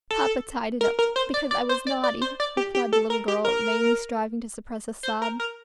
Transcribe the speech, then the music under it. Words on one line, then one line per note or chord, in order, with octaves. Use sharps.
"Papa tied it up, because I was naughty," replied the little girl, vainly striving to suppress a sob.
A4
A#4
A#4
C5
D5
D5
C5
D5
D5
C5
D5
G4
G4
A4
A#4
G4
A#4
C5
A#4
A#4